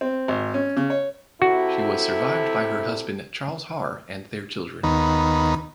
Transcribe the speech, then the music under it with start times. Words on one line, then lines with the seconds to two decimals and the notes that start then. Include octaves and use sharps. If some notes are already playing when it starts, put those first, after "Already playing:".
She was survived by her husband Charles Haar and their children.
0.01 C4
0.28 G#1
0.54 C#4
0.77 C#3
0.90 C#5
1.42 C3 E4 F#4 A4
4.84 D#2 D#3 B3